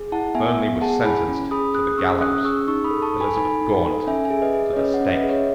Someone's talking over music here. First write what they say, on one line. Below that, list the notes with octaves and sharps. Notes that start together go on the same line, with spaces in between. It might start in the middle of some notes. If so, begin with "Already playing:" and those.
Fernley was sentenced to the gallows, Elizabeth Gaunt to the stake.
Already playing: G#4
E4 F#5 A5
B3 E5 G#5
B3
G#4 F#5 A5
E4 G#5 B5
C#4
G#4 B5 D#6
G#4 D#6 F#6
C#4 C#6 E6
C#4 D#6 F#6
G#4 C#6 E6
D#4 C#6 E6
B5 D#6
A4
A5 C#6
A4
G#5 B5
D#4 G#5 B5
D#4
A4
C#4 E5 G#5
E5 G#5
G#4
B4 D#5
G#4
C#5
C#4 B4 D#5
D#5 F#5
C#4
E5
B4 D#5
G#4
C#5 E5